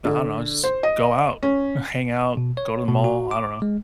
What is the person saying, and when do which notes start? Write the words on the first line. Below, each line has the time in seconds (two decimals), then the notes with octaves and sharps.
I don't know, I just go out, hang out, go to the mall, I don't know.
0.05 D3
0.64 C5
0.83 D#5
1.43 C#4
2.37 B2
2.57 C#5
2.88 B2
3.04 F#4
3.31 D6
3.62 G#3